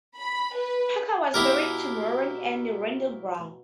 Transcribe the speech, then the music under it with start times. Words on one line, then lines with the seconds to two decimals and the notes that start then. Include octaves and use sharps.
Parker was married to Muriel Anne Randell-Brown.
0.17 B5
0.56 B4
1.34 B2 E4 G4 A#4 F5 A#5